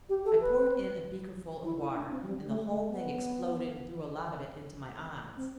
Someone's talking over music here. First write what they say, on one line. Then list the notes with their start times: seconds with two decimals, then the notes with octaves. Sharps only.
I poured in a beakerful of water, and the whole thing exploded and threw a lot of it into my eyes.
0.09 G4
0.25 A4
0.41 B4
1.65 E4
1.80 E4
1.95 D4
2.11 C4
2.23 F#3
2.27 G3
2.47 A3
2.68 A3
2.89 B3
5.36 C4